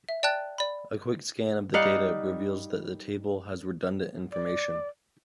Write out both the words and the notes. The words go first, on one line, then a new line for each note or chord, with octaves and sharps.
A quick scan of the data reveals that the table has redundant information.
E5
D5 G5 A5 F#6 A6
D5 B5
G3 D#4 F5 F#5
D5